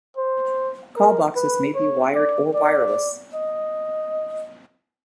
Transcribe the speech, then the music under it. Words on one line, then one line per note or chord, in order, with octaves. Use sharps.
Call boxes may be wired or wireless.
C5
A#4
B4
C#5
D5
D5
D#5